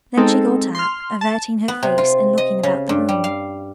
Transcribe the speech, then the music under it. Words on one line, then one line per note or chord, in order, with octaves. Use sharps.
Then she got up, averting her face and looking about the room.
G#3 C4 D#4 A4
C6 F6
A5
B3
C3
F4
D#5
C#3
G2
G3
F5